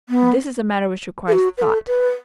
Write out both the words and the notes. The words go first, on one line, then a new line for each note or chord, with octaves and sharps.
This is a matter which requires thought.
B3
A4
F#4
B4
A4
B4